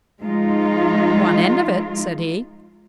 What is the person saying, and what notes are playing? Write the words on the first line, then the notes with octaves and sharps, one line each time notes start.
"One end of it," said he.
F3 G#3 D#4 F4